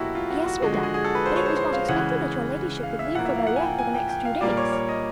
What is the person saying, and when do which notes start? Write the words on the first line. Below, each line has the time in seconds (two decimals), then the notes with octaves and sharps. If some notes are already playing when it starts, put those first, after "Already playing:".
"Yes, madame; but it was not expected that your ladyship would leave for Belliere for the next few days."
Already playing: B2 F#3 A#3 E4 F#4 G4 A4
0.15 F4
0.30 F#4
0.46 F#4
0.62 D3 F3 G#3 F#4
0.73 F#4
0.83 G#4
0.94 G#4
1.04 A4
1.15 B4
1.26 C5
1.36 C#5
1.46 C5
1.57 C5
1.73 F5
1.89 C#3 E3 G#3 F#5
2.83 F5
2.99 E5
3.15 A2 F3 A#3 F#5
3.25 E5
3.36 F5
3.47 F#5
3.56 G#5
3.62 G5
3.78 G#5
3.94 G5
4.09 G5
4.25 F5
4.41 A#2 G3 A#3 D5
4.57 C#5
4.73 C#5
4.89 D#5